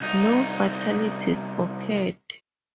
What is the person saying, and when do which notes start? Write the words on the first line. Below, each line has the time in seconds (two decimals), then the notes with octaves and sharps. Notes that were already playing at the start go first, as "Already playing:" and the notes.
No fatalities occurred.
0.01 C2 D#4